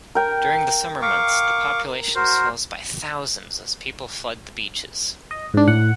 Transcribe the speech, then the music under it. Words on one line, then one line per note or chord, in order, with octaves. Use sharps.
During the summer months, the population swells by thousands as people flood the beaches.
A#4 G5
F5 C#6 D6
F#4 A#4 C5
D#5
G#2 D4
A2 F#5